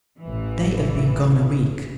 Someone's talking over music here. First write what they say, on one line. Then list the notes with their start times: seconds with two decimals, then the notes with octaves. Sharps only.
'They have been gone a week.
0.21 A1 E3